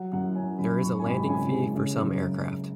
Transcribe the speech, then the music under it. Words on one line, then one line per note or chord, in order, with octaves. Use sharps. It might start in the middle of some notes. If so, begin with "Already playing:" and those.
There is a landing fee for some aircraft.
Already playing: F#3 F#5
F#2 F#5
C#4 G#5
F#2 B5
F#2 C#6
G#5
G#1 B5
C#3 G#5
G#3
C#3
F#2